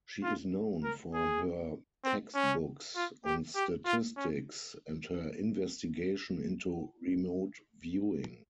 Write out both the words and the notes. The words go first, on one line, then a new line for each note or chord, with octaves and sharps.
She is known for her textbooks on statistics and her investigation into remote viewing.
F4
A#4
G#4
C4
C#4
F4
G4
G4
F4
C#4